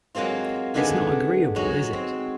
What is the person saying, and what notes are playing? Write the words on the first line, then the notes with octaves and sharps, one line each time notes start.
It's not agreeable, is it?
F#3 G#3 A#3 C4 F4
D3 D#3 G#3 B3 D4 G#4
F#3 G#3 D#4 F#4
C4